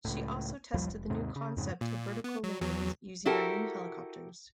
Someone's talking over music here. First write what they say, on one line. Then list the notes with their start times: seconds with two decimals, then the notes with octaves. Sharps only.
She also tested the new concept of vertical landings, using Marine helicopters.
0.05 C#2 A2
0.73 A#1 D#2 F3 G3
0.88 F1
1.10 D#2 G#2 C3
1.36 C#3
1.57 F2 G#2 C#3
1.81 A#2
2.24 B3
2.44 F#3
2.61 E2 F#3
3.25 E4 F#4 G4 A4 A#4